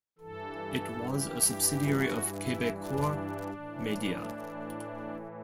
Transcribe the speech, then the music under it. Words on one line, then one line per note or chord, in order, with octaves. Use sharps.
It was a subsidiary of Quebecor Media.
G2 E3 A4
G4
F#4
E4
D4
A2 E3